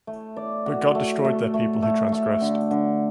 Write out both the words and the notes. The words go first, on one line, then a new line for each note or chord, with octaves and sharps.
But God destroyed their people who transgressed.
A3
D5
F#4
A3
A3
A3
A3
A3
D3
D3